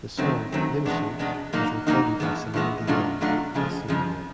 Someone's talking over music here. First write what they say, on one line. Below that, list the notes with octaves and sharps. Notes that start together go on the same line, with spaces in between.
The song "Unison" was recorded by Celine Dion the same year.
F#2 D#3 F#3 A3 C4
F#2 D#3 F#3 A3 C4
E2 B2 G#3 B3 D4
E2 B2 G#3 B3 D4
A#2 F#3 A#3 D#4 F#4
A#2 F#3 A#3 D#4 F#4
G2 E3 G#3 B3
G2 E3 G#3 B3
B2 F#3 A3 D4 F4
B2 F#3 A3 D4 F4
F2 C#3 F3 G#3
F2 C#3 F3 G#3